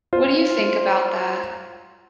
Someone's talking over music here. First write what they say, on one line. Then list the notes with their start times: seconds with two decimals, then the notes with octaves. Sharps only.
What do you think about that?
0.13 F4 C5